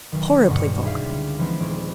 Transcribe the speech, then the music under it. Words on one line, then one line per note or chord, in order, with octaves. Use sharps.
Horribly vulgar!
B1 D#3
D#1 G2 B2 D3 F#5 C#7
G4 G#4 E5 F5
C#2
E3 F3 G#3 B3 C4 D#4
D#1 D7